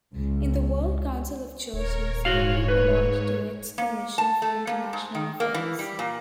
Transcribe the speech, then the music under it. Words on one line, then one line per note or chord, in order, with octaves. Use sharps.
In the World Council of Churches he belonged to its "Commission for International Affairs".
C#2
D#1 A#4 C#5
G#2 F#4 C#5 F5
B4
A#3
A5
A3
A#3
G#2
D#3
A#3
E3
G3
A#2